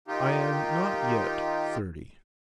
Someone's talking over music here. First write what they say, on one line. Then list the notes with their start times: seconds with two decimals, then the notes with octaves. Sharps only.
'I am not yet thirty.'
0.08 D#3 D#4 F4 G4